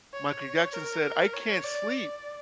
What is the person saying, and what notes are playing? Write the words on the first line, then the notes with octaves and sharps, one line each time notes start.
Michael Jackson said, "I can't sleep
C#5
A#4
C#5
D5
D5